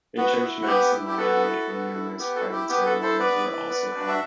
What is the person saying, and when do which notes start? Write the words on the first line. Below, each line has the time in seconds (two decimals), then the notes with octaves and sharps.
A church mass in Miami and numerous private ceremonies were also held.
0.17 B3 F#4
0.43 E4
0.62 F#4
0.67 B3 G4
0.93 E4
1.07 G4
1.17 B3 F#4 A4
1.44 E4
1.69 B3
1.94 E4
2.19 B3 G4
2.36 F#4 A4
2.44 E4
2.52 G4
2.69 B3 G4
2.86 F#4 A4
2.95 E4
3.02 A4 C5
3.19 B3 B4 D5
3.44 E4
3.69 B3
3.95 D4 F#4
4.08 E5